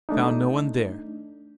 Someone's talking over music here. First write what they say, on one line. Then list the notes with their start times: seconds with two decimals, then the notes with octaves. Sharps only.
I found no one there.
0.09 A3 D4 D#4